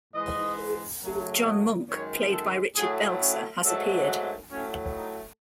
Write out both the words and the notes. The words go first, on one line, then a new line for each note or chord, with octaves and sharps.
John Munch, played by Richard Belzer, has appeared.
G#2 E3 G#3 D#5
F#2 C#3 F#3 A3
D#5
F#2 D#3 G#3 C#5
A4
A2 F#3 A3 G#4
C#4
G#2 F#3 A3 A4
F#4
A2 F#3 A3 C#4
D#4